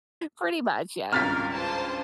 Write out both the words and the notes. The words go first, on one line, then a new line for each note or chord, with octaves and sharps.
Pretty much, yeah.
G#1 C#2 G2 A#4 F5 F6 A6 B6
F4 C5 A5